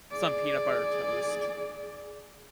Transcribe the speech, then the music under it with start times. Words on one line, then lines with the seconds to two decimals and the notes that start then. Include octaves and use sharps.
some peanut butter toast.
0.11 G#4 D5